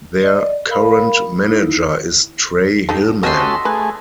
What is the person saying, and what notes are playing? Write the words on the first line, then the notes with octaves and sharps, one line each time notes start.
Their current manager is Trey Hillman.
D5 D#5
A#4 F5 B5
D#4 E4
D#4 G4 A4
G3 C#4 F#4 A4 D#5 E5 C6
A3 G#4 B4